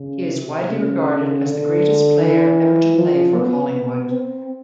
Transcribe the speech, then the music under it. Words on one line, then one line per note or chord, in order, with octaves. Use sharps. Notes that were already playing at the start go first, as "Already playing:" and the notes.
He is widely regarded as the greatest player ever to play for Collingwood.
Already playing: C#3
C3
C#3
D3
E3
F3
B3
C4